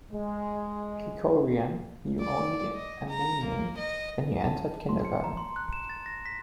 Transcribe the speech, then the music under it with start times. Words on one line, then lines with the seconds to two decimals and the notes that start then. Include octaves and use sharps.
Krikorian knew only Armenian when he entered kindergarten.
0.12 G#3
2.20 D5
2.74 D#5
3.09 A#5
3.44 A#3
3.78 D#5
4.47 A5
4.89 C6
5.05 C#7
5.24 A#5
5.37 C6
5.56 F#6
5.73 E7
5.90 A6
6.06 A#6
6.26 B6